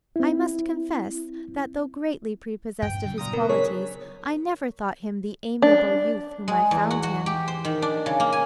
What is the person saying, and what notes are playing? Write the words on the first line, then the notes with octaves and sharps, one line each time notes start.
I must confess that, though greatly prepossessed of his qualities, I never thought him the amiable youth whom I found him.
C4 E4
G2 G5
C#3 F#3 G3
A#2 A#5 D#6
B3 A#4
D4 G#4 C#5 B6
D4
G#3
E2
F#4
F#4
G4
C5
D#3
D4
C#3
A#3
G#5